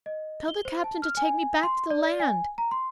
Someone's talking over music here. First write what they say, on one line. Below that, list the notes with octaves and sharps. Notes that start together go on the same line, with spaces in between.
Tell the captain to take me back to the land.
D#5
G7
C5
A5
F6
G#5
C6
D5
G#5
A#5
C6